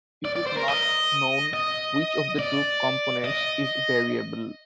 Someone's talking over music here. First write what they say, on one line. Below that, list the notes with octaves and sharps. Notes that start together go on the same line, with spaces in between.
It is not known which of the two components is variable.
D5
D5
C5
A#4
D#5
D#5
D5
D#5